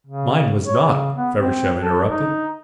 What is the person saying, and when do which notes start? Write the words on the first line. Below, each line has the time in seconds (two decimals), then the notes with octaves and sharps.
"Mine was not," Feversham interrupted.
0.07 C#3
0.65 C#5
0.84 C#3
1.16 B3
1.39 C4
1.80 A4
2.07 D#4